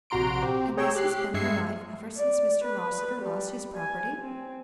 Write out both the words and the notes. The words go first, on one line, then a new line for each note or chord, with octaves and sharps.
"And this has been her life ever since Mr. Rossitur lost his property?"
A#1 C3 F#4 A#5 C6 D7
C4 G4
G#4 C#5 G5 A#5 C#6 E6
G4 F#6 C7
G2 G#3 E5 G#6 C7 C#7
D5
B4
G3
G#5
C4